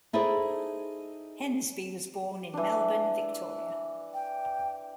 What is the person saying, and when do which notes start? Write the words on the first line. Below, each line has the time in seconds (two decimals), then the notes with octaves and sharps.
Hensby was born in Melbourne, Victoria.
0.13 D#4 E4 G#4 A4 C5 D5
2.54 E3 D4
4.14 G5